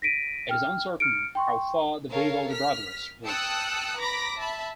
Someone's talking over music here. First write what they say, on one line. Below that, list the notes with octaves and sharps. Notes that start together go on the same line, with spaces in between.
It is uncertain how far the Vivaldi brothers reached.
A#6 B6 D7 D#7
G5 F6
F6 C#7 D7
G5 C6 C#6
A4 A#4 C#5 F5
F6 B6
G5 A5 D#6 E6 F#6 C#7
B4 A#5 B5 D6 A#6 B6
E5 A5 B5